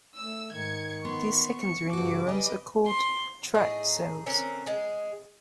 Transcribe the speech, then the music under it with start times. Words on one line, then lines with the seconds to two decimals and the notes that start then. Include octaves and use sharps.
These secondary neurons are called "tract cells".
0.17 A3 E6
0.52 G#2 D#3 G#6 C#7
1.05 B3 C6 C#6
1.62 C#7
1.93 G2 C#3 F#4 D6
2.27 G3 G#4 B4 D#5
2.86 C6
3.55 A2 D#4 G#4
4.26 D3 C4 C#4 A#4
4.66 G#3 G#4